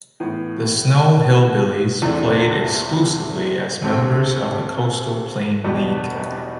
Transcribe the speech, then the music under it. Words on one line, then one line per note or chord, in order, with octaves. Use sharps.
The Snow Hill Billies played exclusively as members of the Coastal Plain League.
A2 E3 B3
E2 C3 E3 A3 D4
D2 D3 A3 C4 G4
E2 B2 B3 D4 G4